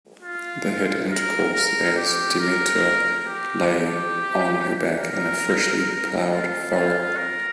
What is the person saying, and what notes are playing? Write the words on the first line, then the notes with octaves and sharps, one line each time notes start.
They had intercourse as Demeter lay on her back in a freshly plowed furrow.
F4
A#4
A#4
G4
A#4
G4
G4
A#4
F4
F4
A#4